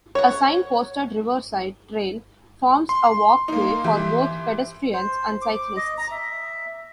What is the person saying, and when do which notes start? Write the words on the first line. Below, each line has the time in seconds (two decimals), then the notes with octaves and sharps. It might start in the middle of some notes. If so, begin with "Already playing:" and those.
A sign posted riverside trail forms a walkway for both pedestrians and cyclists.
0.15 C#5 F#5
2.89 C6
3.48 A#3 D#4
3.84 E3 G4 E5
4.93 C5
5.42 D6
5.76 D#5
5.98 A#5
6.11 E5